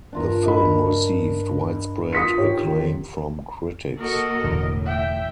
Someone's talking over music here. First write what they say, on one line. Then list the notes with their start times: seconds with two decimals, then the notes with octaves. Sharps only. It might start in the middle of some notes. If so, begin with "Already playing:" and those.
The film received widespread acclaim from critics.
0.13 G2 D4 F4 A#4
0.46 D#5 B5
2.13 F4 D#6 B6 C#7
2.38 G#2 G4 C#5
2.63 D#3
3.98 A#3 F#4 A4 A#4 D#5
4.44 E1 E2 A2 D3
4.86 E5 G5